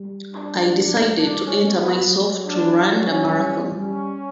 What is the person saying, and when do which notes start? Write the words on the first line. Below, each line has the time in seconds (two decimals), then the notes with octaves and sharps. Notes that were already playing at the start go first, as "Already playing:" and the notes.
I decided to enter myself to run the marathon.
Already playing: G3
0.30 D4
1.17 G3 D4
1.46 C#4
1.74 B3
2.03 F#3
2.46 D4
2.89 F#3 C#4
3.33 G3
3.76 G3 C#4